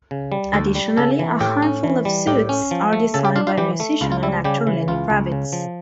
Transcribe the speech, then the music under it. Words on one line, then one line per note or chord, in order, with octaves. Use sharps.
Additionally, a handful of suites are designed by musician and actor Lenny Kravitz.
C#3
G3
D2 A4 A5
G3
C#3 A4 A5
E3
A2 G4 G5
C#4
E3
G3
A2 G4 G5
C#4
F3
A3
C#3 A4 A5
G4 G5
D4 F4 F5
F4 F5
E3 G3 G4
A3
C#2 F4
F4
G3 E4
C#3 G3 G4
E3
C#2 F4
C#2
C#3
F3